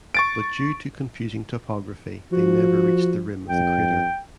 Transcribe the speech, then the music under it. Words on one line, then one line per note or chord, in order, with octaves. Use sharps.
But due to confusing topography they never reached the rim of the crater.
C#6 A6 D7
F3 F#4
F2 G5